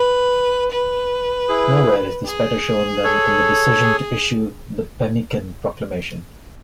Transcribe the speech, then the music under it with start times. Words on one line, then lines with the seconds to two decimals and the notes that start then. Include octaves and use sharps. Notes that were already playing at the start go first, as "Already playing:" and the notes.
Nowhere is this better shown than in the decision to issue the Pemmican Proclamation.
Already playing: B4
0.71 B4
1.49 E4 G#4
2.26 G#4
3.04 A4 C#5
3.81 G#4